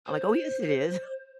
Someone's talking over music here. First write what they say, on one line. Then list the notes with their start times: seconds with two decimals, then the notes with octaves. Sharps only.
I'm like, "Oh, yes, it is."
0.06 C5